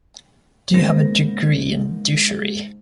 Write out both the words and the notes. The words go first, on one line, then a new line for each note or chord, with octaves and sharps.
Do you have a degree in douchery?
G#2 C#3 A#3 B3 C5 A#6